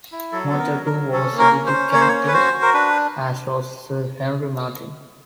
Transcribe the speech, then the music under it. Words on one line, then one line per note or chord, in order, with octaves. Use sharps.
Montagu was a dedicatee, as was Sir Henry Marten.
E4
F#3 A4
B3 A4
A#4
F#3
A#4
F#3
C#4 A4
A#3
A#4
C#4
C5
C#4
A#3 C#5
C5
C#4 C#5
B4
F#4 C5
F#4
A#4
D4 B4